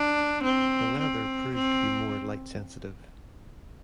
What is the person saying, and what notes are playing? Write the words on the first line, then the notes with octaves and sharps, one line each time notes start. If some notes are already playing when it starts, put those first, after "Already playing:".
The leather proved to be more light-sensitive.
Already playing: D4
C4
C4
C4